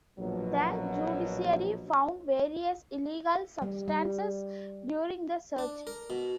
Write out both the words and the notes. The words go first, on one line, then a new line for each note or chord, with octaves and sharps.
The judiciary found various illegal substances during the search.
A#1 B2 F#3
G3
G3
D4
A#4
B2